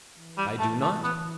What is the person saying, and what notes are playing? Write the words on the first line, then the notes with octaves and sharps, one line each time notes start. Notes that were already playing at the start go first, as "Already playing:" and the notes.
I do not.
E3
G3
A3
A3
B3